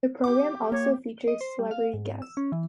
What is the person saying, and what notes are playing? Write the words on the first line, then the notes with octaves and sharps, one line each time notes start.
The program also features celebrity guests.
G4 D6
A#3 C#5
D#5
C5
G3
F5
G#2
E6
C#4
E3